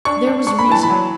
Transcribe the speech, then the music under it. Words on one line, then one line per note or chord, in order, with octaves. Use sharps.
There was reason.
D4 C#6
D4
D4 C#6
B5
E3 A5
B5
F#3